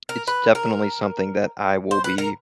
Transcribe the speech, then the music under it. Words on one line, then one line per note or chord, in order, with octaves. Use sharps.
it's definitely something that I will be
A#4
B4
A#4
C5
B4
A#4